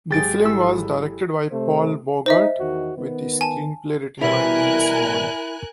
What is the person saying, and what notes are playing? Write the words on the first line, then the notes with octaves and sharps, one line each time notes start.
The film was directed by Paul Bogart with the screenplay written by Neil Simon.
G#1 F#3 G#3 G4 G#4 A6 D7
E4 A4 E6
C3 A3 C5
D#4 C5 D#5 E5
E2 D#3 F#4
D#3 B3
G#5 A5
B2 E3 G3 E4 A#4 G#5 F#6